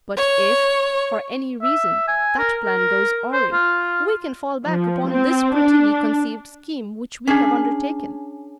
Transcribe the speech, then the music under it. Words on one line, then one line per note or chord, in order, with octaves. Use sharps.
But if, for any reason, that plan goes awry, we can fall back upon this prettily conceived scheme which we have undertaken.
C#5
E5
G#5
A#4
A#4
C5
F4
F3
C4
D4
C#4 D4 G#4